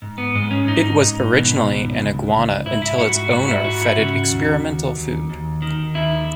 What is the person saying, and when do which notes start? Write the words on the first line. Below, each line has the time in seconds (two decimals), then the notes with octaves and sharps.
It was originally an iguana until its owner fed it experimental food.
0.02 G#2
0.18 B3
0.35 G#2 G#3
0.51 C#4
0.68 G#2 D#4
1.01 G#2
1.34 B2
1.67 C#2
1.99 C#2
2.33 C#2
2.66 G#2 E4
2.82 E4
2.99 G#2 F#4
3.15 F#4
3.32 G#2 F#4
3.48 E4
3.64 G#2 F#4
3.82 E4
3.97 C#3 F#4
4.30 D#2
4.64 D#2
4.97 D#2
5.30 D#2
5.62 D#3
5.95 D#2 E4